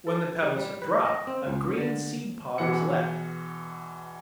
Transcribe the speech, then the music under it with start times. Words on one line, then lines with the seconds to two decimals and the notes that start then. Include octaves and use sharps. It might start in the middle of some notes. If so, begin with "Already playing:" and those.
When the petals have dropped, a green seed-pod is left.
0.07 A4
0.42 G3
0.58 G3
0.82 B4
1.05 D#5
1.27 C4
1.47 C#2
1.78 D3
2.58 E2 B2 E3 F#5 C#7